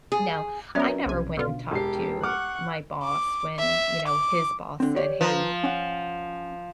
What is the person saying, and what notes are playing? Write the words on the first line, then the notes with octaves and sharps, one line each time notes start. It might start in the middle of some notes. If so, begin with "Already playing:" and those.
Now, I never went and talked to my boss when, you know, his boss said, "Hey,
G#4
F#3 B3 C#4 A#4 D5 E5
B1 C3 G#5
B2 D3 F4
E1 G4 C7
F#5 C#6 D6 F6
D6
E5
D6
D3 C4
G4 C#5 D5
F3 B4 A#5
C#4 F#5